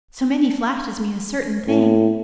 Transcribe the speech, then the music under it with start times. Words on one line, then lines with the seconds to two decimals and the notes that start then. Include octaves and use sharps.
So many flashes mean a certain thing.
1.68 A2